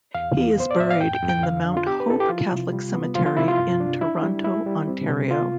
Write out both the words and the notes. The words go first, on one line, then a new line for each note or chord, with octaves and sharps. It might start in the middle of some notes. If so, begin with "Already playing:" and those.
He is buried in the Mount Hope Catholic Cemetery in Toronto, Ontario.
E2 F5
E2
B3 C5
D5
A2 E5
F5
F2 G5
G5
F2
G5
D3 F5
D4
F4
B3 G4
B4
E4 A4
G4
F3 F4
C3
G3
B3
F3 F4
F4
C3 E4
F4
G2
D4
E4
G3
E4
G3
C4
C3
B3 F4